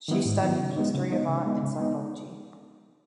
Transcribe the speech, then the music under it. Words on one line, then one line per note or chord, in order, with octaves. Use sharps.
She studied history of art and psychology.
D#3 F#3 B3 E4
G#2
D#3 F#3 B3 E4
C#3
G#3 B3 D#4
C#3
G#3 B3 D#4
C#3
G#3 B3 D#4
C#3
G#3 B3 D#4